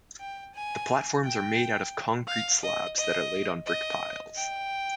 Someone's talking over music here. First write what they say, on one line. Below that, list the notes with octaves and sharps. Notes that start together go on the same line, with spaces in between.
The platforms are made out of concrete slabs that are laid on brick piles.
G5
G#5
G5
F5
D#5
D#5
D#5
G5